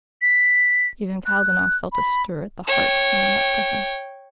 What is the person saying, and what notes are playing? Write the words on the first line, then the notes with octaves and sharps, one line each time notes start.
Even Kalganov felt a stir at the heart and went up to her.
B6
F#6
B5
C#5 G5